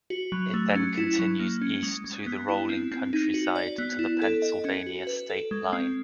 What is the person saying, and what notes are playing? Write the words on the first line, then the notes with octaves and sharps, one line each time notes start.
It then continues east through the rolling countryside to the Pennsylvania state line.
F#4
F#3
A3
C#4
E4
F#3
A#3
C#4
G#3
G#3
B3
E4
C4
C4
D#4
F#4
D5
B3
E4
A4
D#5
C#4
F#4
B4
A4
G#3
C4